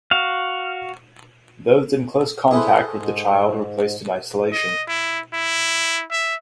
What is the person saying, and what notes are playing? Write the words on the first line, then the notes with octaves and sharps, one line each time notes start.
Those in close contact with the child were placed in isolation.
F#4 F5
E4 G#4 A4 B4 C5
G#2
D#5
E4
E4
E5